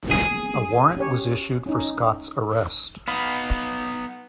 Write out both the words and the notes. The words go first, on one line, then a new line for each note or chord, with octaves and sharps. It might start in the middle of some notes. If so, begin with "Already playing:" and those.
A warrant was issued for Scott's arrest.
G#4
C#4 G4 C#5
C#4 D#4
B3 D#4 F5 B5